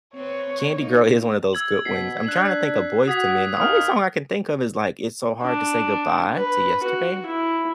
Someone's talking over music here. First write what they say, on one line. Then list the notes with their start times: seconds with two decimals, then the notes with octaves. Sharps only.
Candy Girl is one of those good ones. I'm trying to think of Boyz II Men, the only song I can think of is, like, "It's So Hard To Say Goodbye To Yesterday?"
0.15 C4 B4 C#5
0.74 A#3 D#4
1.53 E6 G#6 F#7
1.85 B2 B6 C7
2.27 D4 F#6 F#7
3.08 F#4 D#6 G#6 B6
3.57 D#2 D#6 F6
5.42 D4
6.33 B4
6.83 F#4
7.26 E4